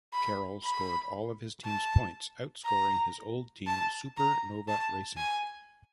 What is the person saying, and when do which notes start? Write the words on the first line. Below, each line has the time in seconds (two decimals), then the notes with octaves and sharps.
Carroll scored all of his team's points, outscoring his old team Super Nova Racing.
0.13 B5
0.63 B5
1.65 A5
2.65 A#5
3.67 A5
4.17 A#5
4.68 A5
5.17 G#5